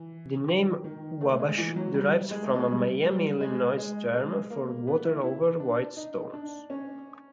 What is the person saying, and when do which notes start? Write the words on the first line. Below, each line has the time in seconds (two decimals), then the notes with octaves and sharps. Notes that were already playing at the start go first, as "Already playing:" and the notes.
The name Wabash derives from a Miami-Illinois term for water over white stones.
Already playing: E3
0.48 D#3
0.84 D#3
1.21 A3
1.39 G#3
1.57 E3
1.76 F#3
1.94 G3
2.31 G#3
2.43 A3
2.54 G#3
2.68 G3
3.04 G3
3.40 G#3
3.77 G#3
4.14 G#3
4.50 A#3
4.87 B3
5.05 E4
5.24 E4
5.60 D4
5.97 D#4
6.33 D4
6.70 C#4